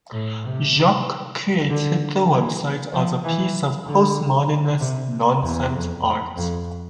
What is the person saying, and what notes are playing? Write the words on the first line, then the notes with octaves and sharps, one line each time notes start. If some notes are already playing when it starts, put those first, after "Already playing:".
Jacques created the website as a piece of postmodernist "nonsense-art".
A2
C3
D3
E3
F3
E3
D3
C3
E2
F2
F2